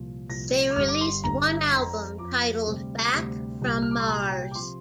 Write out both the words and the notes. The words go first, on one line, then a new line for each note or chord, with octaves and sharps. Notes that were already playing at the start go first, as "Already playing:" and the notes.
They released one album titled "Back From Mars".
Already playing: C2 A#2 F3
C2 A#2 F3 A#6
D6
G1 G2 G3 F6
D6
C6
G1 G2 G3 A#5
F2 F3
F2 F3 D6
D2 C3 G3
D2 C3 G3
C2 A#2 G3
F6
D6
C6
C2 A#2 G3 A#5
A#5
G5
D6
C3 F3 C6